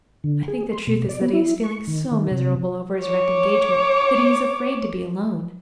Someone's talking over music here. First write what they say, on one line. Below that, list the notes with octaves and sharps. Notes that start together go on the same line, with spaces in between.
I think the truth is that he is feeling so miserable over his wrecked engagement that he is afraid to be alone.
D3
G#4
C6
B2
D5
B3
E4
C#6
D#3
D#3
C3
C#5 D6